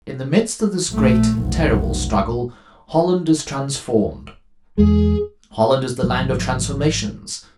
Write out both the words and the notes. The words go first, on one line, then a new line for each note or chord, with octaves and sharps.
In the midst of this great and terrible struggle Holland is transformed: Holland is the land of transformations.
A#1 A3
F1 B1
E2 G#3 G#4
G#1 F3 F#3